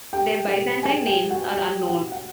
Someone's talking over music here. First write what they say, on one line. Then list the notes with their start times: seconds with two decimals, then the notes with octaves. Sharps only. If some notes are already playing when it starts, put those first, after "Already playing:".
Their Byzantine names are unknown.
0.13 G4 G5
0.47 G4 G5
0.83 G#4 G#5
1.06 G4 G5
1.30 F#4 F#5
1.53 G4 G5
1.83 G5
1.89 F#4 F#5
2.12 F#5